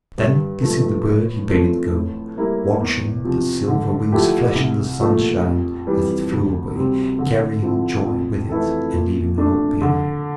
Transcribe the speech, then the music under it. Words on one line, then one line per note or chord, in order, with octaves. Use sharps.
Then kissing the bird he bade it go, watching the silver wings flash in the sunshine as it flew away, carrying joy with it and leaving hope behind.
G2
F3 A3
A2
F3 A3 C4
A2
G3 A#3 E4 A#4
E2
C3 F3
D3
F3 A3 E4 G4
C2
A#2 F3 A3
F2
E3 G3
D2
C3 G3 C4
D3
F3 C4 E4
F2
E3 A3 E4 A4
A#2
A3 D4
D3